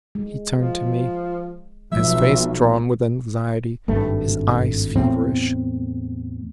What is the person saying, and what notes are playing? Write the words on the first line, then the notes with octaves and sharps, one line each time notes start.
He turned to me, his face drawn with anxiety, his eyes feverish.
G#3
F3
B1 F3 G#3 E5
G#1 G2 A3
E2 A2 C4